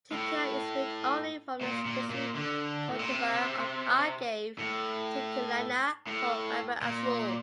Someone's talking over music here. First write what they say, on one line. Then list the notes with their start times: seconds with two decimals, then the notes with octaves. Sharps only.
Tequila is made only from a specific cultivar of Agave tequilana called Weber Azul.
0.12 A2
1.61 A#2
1.85 A#2
2.10 A#2
2.35 D3
2.88 A2
2.99 A#2
3.09 C3
4.58 A2
6.07 A2
6.82 A#2